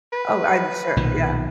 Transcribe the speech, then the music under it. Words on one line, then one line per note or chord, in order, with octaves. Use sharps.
Oh, I'm sure, yeah.
B4
B1 A#2 D#3 B4